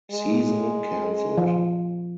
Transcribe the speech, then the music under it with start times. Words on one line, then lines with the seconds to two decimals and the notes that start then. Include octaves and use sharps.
Season canceled.
0.12 G#3
1.38 F3